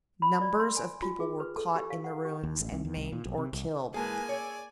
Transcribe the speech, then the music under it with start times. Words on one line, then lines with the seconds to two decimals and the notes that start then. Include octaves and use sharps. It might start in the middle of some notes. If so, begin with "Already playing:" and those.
Numbers of people were caught in the ruins and maimed or killed.
0.22 B5
0.41 D5
0.60 C6
0.77 G#5
1.02 F4
1.20 G#4
1.40 B4
1.57 A4
1.75 G4
1.90 F5
2.04 F#5
2.25 G4
2.43 D#2
2.60 A1
2.72 C2
2.85 E2
2.97 C2
3.12 A#2
3.25 B1
3.38 C3
3.53 C2
3.94 G#2 E3 G#3 A#3 G#4 B4 G#5 A5
4.29 C#5 D5 E5